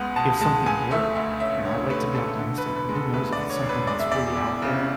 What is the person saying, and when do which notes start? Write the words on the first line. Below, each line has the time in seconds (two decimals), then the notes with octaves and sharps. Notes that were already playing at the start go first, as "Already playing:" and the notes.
if something were, you know, I like to be optimistic. But who knows if it's something that's really out there
Already playing: C#2 G#3 B3
0.16 B2 A5
0.41 G#3 A5
0.66 C#2 G#5
0.91 A3 E5
1.15 D2 E5
1.40 C#4 E5
1.64 D3 C#5
1.90 A3 B4
2.15 D2 A4
2.39 D3 A4
2.58 B4
2.65 E1
2.76 B4
2.89 G#3
2.95 A4
3.13 D2 B4
3.32 D3 D5
3.50 C#5
3.62 E1
3.69 B4
3.87 G#3 D5
3.99 E5
4.12 E2 D5
4.37 E2
4.62 C#3